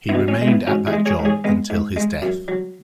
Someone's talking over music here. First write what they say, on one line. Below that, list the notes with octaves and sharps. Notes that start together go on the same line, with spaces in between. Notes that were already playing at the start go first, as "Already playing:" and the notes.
He remained at that job until his death.
B3 E4
B2
C#4
G#3
B3 E4
G#2 C#4 F#4
E4 G#4
G#3
G#4 C#5
G#2
G#4 C#5
G#3 B3
G#2
G#3
F#2
F#3